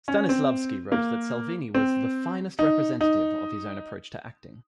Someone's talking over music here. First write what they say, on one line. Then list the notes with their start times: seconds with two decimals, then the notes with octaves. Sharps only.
Stanislavski wrote that Salvini was the "finest representative" of his own approach to acting.
0.08 C#4
0.29 C4
0.92 A#3
1.75 C4
2.59 D#4
3.01 D#4